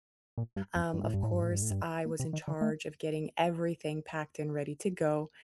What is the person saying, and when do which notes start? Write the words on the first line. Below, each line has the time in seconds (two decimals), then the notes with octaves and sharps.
um, of course, I was in charge of getting everything packed and ready to go,
0.38 A#2
0.56 G2
0.75 F2
0.94 G2
1.04 A2
1.14 G2
1.23 A2
1.32 G2
1.42 A2
1.51 G2
1.62 A2
1.71 G2
2.06 A#2
2.20 C3
2.33 D#3
2.48 D3
2.61 A3